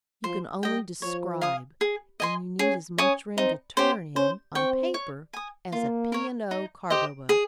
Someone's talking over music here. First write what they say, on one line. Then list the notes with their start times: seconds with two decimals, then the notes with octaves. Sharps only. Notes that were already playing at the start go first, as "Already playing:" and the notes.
You can only describe, and you need as much room to turn in, on paper, as a P. and O. cargo-boat.
0.24 F3 C5
0.63 G3 D#5 G5
1.02 F3 C#5
1.41 F5 G#5 D#6
1.81 G#4
2.20 D#5 G#5 C6
2.59 C#4 G#4
2.98 C#4 C#5 G#5 D#6
3.38 C4 D#4
3.77 C#4 G4 C5
4.16 C#4 C5
4.55 C4 G5 C#6
4.94 C#5
5.33 G#5 D#6
5.72 A#3 F4
6.12 A#4 C#5
6.51 D#4
6.90 G4 C5 D#5
7.29 G#4